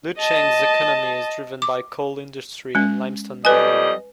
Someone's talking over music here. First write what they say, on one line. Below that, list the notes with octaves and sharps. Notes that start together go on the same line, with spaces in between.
Lucheng's economy is driven by coal industry and limestone mining.
D#5 A5
D6
G#3 C#4
F2 G3 B4 D#5 G#5